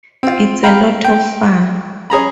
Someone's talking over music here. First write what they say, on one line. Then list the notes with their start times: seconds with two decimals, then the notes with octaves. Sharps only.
It's a lot of fun.
0.23 C4 F4
0.63 F5 G5 A#5 B5
1.05 G5
2.10 C#4 G#4 A#5 B5